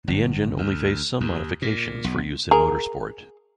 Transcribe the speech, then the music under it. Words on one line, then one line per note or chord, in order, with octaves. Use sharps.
The engine only faced some modifications for use in motorsport.
G1
D2
D#2
A#2
B1
G#4 A#4